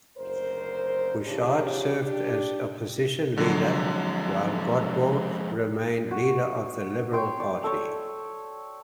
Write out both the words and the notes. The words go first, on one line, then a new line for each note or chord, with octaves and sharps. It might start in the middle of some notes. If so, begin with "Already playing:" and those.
Bouchard served as opposition leader while Godbout remained leader of the Liberal Party.
F#1 D2 A#4 C5
C#3 E3 F3 D4 G4
D4 G4
F2 D3 F#3 G#3
F#4
C#5 G5 C6
C#5 D5
A4 C#5